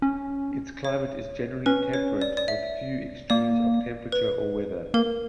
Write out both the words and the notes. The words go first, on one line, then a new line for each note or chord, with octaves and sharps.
Its climate is generally temperate, with few extremes of temperature or weather.
C#4
C#5
C#4 B4
C#5
D5
D5
E5
A#3 D5
B4
A#3 A#4